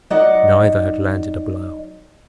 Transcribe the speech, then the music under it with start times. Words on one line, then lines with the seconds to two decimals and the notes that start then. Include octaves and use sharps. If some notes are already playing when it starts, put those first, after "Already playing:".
Neither had landed a blow.
0.10 F#3 D#4 D5 D#5 F#5